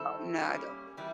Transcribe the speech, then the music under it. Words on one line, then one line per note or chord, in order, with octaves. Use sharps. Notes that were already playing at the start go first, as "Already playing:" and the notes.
no I don't
Already playing: D#3 G3 C4 E4 A4
G3 A#3 C#4
E3 G3